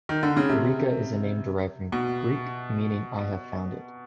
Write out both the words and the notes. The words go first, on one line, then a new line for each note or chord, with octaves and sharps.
Eureka is a name derived from Greek, meaning "I have found it".
D#3
D3
C#3
C3
B2